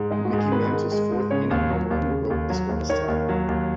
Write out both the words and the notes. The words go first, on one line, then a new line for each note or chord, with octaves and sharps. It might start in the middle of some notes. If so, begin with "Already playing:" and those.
Mickey Mantle's fourth-inning home run broke the scoreless tie.
Already playing: G#2
G#3 D#4
F#4
G#2
G#4
D#3 B4
G#2
G#3
G#2
C#3 C#5
D#2
F#3
D#2
C#3
D#2
F#3
D#2
D#3 C#5
D#2
F#3
D#2